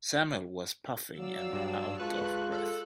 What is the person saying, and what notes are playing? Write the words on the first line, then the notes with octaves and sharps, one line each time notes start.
Samuel was puffing and out of breath.
F#3 D5 F5 E6
G2 G3
G#3 F4 A4 B4 C#6 F#6
A4 F#6